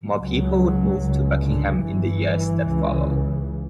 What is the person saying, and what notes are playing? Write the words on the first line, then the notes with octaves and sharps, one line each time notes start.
More people would move to Buckingham in the years that followed.
C#2 C#3 F#3
C#2 C#3
D3
G1 G2 E3
C#2 C#3